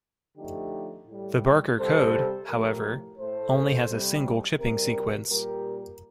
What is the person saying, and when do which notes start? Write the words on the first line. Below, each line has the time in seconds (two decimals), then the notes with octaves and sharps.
The Barker code, however, only has a single chipping sequence.
0.37 D3 F3 A3 D#4 G4
1.07 A2 G3
1.78 C3 G3 A4 C5
2.47 A2 F3 A3 G4 A#4
3.18 A2 A3 A4 C5
3.88 C3 G3
4.59 C3 G3 G4 A#4
5.29 A#2 G3 G4 A#4